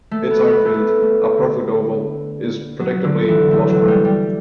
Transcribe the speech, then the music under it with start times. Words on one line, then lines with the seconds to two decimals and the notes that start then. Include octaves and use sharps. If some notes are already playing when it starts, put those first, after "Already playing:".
Its outfield, a perfect oval, is predictably lush green.
0.11 A3
0.31 B3
0.48 B3
0.65 A3
1.01 A3
1.37 D3
2.80 F#3
3.04 D3
3.28 E3
3.51 A3
3.69 F#3
3.88 G3
4.05 G3